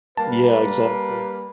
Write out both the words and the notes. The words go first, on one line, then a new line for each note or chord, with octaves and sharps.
Yeah, exactly.
G3 A#3 B4 A5